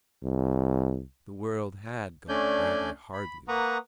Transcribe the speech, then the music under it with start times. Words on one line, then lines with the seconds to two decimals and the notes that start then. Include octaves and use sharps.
The world had gone rather hardly with her.
0.23 C2
2.29 A3 C#4 D4 D5 G#5 G6
3.13 B5
3.48 A#3 B4 F#5 A#5 C#6 D#6